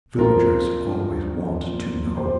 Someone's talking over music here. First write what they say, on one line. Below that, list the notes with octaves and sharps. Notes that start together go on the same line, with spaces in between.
Villagers always want to know.
F2 F3 F4 A#4
G2 F3
A#2 F3
F3 G4 C5